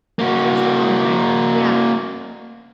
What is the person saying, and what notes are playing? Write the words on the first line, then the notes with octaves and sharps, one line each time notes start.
it goes a long way, yeah.
A#3 F#4